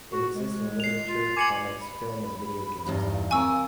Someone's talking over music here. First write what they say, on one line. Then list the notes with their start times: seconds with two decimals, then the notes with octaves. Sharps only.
It exists in literature, comics, film, and video games.
0.12 F#4
0.34 G#3
0.80 C7 F7
1.06 F4
1.37 G#5 D6 C#7 F#7
1.81 B5
2.86 E2 G2 D#4 G4
3.13 F5
3.31 C3 A#4 G#5 C#6 E6